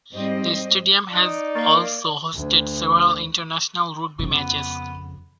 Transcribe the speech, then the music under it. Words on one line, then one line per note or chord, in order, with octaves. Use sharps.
The stadium has also hosted several international rugby matches.
G#2 G3 C4 C5 D#5
D#4 D5 D#6 F#6
A#3 A#5 C#6 A6
D2
F2 C#3
B3